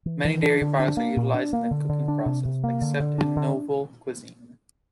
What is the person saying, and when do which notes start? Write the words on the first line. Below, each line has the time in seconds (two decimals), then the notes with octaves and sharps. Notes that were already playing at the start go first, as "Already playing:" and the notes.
Many dairy products are utilized in the cooking process, except in nouvelle cuisine.
0.06 E3
0.24 E3
0.43 D4
0.61 D3
0.80 D4
0.97 A#3
1.16 A#2
1.34 D4
1.53 A#3
1.71 D3
1.89 D3
2.08 D4
2.26 C3
2.45 C3
2.64 A#3
2.81 D3
3.00 D3
3.18 D4
3.36 D3